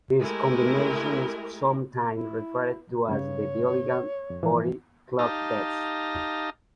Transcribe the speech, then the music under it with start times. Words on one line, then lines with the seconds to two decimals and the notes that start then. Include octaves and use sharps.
This combination is sometimes referred to as the Biological Body Clock Test.
0.21 G#3 A3 E4 G4 A#4
2.17 E4
3.08 G2 C#3 C#5
4.30 F2
4.43 G#2 E3 F3
5.19 D#4 G4 D#5 F5 A5 A#5